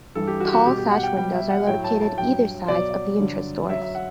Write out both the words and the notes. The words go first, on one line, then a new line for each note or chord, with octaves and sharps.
Tall sash windows are located either side of the entrance doors.
G2 E3 G3 A4
G4
F#4
G4
F#4
B2 G3 G4
G4
F#5
G5
B2 G3 G5
E5
F#5
A2 F#3 G5
A5
A5
G2 F#3 G5
B2 F#3 D5
G2 D3 F#3
F#2 F#3 E5
E5
F#5